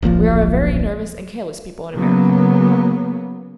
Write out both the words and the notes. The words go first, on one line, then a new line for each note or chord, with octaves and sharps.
We are a very nervous and careless people in America.
D1 A#1 A#2 F3
C#3 F#3 A#3 B3